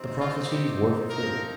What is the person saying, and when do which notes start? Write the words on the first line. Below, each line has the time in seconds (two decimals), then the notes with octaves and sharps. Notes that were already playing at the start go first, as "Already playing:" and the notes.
The prophecies were fulfilled.
Already playing: C3 F3 C4 D#4
0.20 F4
0.50 G4
1.08 C3 F3 C4 D#4 A#4